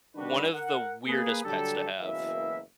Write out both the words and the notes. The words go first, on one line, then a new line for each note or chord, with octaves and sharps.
one of the weirdest pets to have?
D#3 G3 D4 F#4 G4 B4
A#4 F#5
A#3 G#4 B4
D3 F#3 G3 G4 A4
F#1 B2 E3 A#3 E5